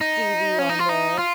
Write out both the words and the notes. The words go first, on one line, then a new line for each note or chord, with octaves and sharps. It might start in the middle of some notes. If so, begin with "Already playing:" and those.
Stevie Wonder.
D#4
C#4
D#4
F4
D#4
F4